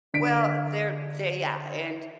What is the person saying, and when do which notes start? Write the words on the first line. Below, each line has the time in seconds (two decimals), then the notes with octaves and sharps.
Well, they're they yeah, and,
0.14 D3 B6 D7